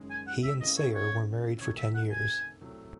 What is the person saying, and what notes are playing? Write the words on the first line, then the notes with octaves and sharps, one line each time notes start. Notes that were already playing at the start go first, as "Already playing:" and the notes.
He and Sayer were married for ten years.
Already playing: F#1 F#2 D#3 G#3 C#4
G#5
F#5
E5
C#3 E3 A3 C4 D#5
C#5
C#5
C3 D#3 A3 C#5
E5
F#5
G#5
C2 C3 F#3 A3